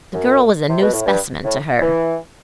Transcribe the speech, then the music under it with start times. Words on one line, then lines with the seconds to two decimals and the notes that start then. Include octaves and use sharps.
The girl was a new specimen to her.
0.13 F#2
0.68 C3
0.81 B2
0.93 A2
1.06 G2
1.44 A2
1.82 E3